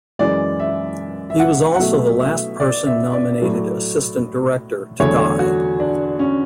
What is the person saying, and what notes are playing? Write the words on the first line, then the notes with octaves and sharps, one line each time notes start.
He was also the last person nominated Assistant Director to die.
F#2 E3 G#3 D5
E5
E5
F#5
F#5
B2 F#3 A3 E5
E5
D5
E5
D5
A2 F#3 A3
E2 D3 F#3 A3 C#5
F#4
D4
C#4